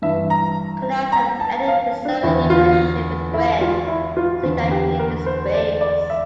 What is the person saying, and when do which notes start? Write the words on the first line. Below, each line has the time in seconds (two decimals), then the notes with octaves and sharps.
Kanal then ended his seven-year relationship with Gwen, saying that he needed "space".
0.02 G2 E3 E5
0.30 A#5
1.12 A#5
1.40 A5
1.68 F5
2.05 D4
2.23 E2 D3 E4
2.50 F4
3.34 E4
3.61 F4
3.88 E4
4.17 F4
4.43 E2 D3
4.71 G4
4.99 A#4
5.26 C5
5.54 D5
5.81 D5
6.10 E5